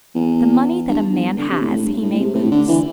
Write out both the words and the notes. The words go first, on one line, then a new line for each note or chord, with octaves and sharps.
The money that a man has he may lose.
E2
G2
E2
D3
C3
A2
A2
G2
A2
A2
C3
A2
D3
E3